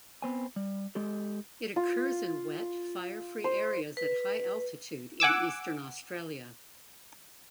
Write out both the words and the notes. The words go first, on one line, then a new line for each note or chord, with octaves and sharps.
It occurs in wet, fire-free areas at high altitude in eastern Australia.
B3 C4 G#5
G3
G#3 G4 A4
F4
C5
B4
F#5 G#5 D6 E6